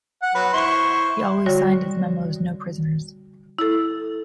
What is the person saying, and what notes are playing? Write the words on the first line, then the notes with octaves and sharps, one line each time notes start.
He always signed his memos "no prisoners".
F#5
F#3 B4
E4 C5 C#6
D3 G3 F#4 C#5
E4 A4